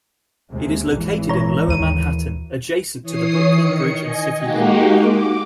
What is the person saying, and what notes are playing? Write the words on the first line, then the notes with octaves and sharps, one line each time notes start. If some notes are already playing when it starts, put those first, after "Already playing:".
It is located in Lower Manhattan, adjacent to the Brooklyn Bridge and City Hall.
D#2 C3 G#3
G#1 E3
C#5 A#5
D#2 D#7
E3 C#5 D#6 C7
D#3 C#7
D#5 G#5
G#3 A#3 D#4 F#4 G4
D6